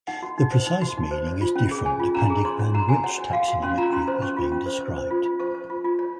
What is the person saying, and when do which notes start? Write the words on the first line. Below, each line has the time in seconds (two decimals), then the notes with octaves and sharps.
The precise meaning is different depending on which taxonomic group is being described.
0.07 D#4 F#5
0.23 F#4
0.38 D#4
0.52 C5
0.67 D#4
0.82 F#4
0.97 D#4
1.11 C5
1.27 C#5
1.41 F4
1.56 C#4
1.71 G#4
1.85 C#5 G#5
2.00 F4
2.15 C#4 A#5
2.30 G#4
2.45 C#5 C6
2.59 C#5
2.74 F#4 A#5
2.88 F#4 G#5
3.04 C#5 F#5
3.18 C#5
3.33 F#4 F5
3.48 F#4
3.62 C#4 C6
3.77 F4 A#5
3.92 C#4 C6
4.07 C5 C6
4.22 C#4 C#6
4.37 F4
4.52 C#4
4.66 C5
4.81 C5
4.96 C5
5.11 F4
5.25 F4
5.40 C5 C#6
5.55 C5
5.70 F4
5.85 F4
5.99 C#5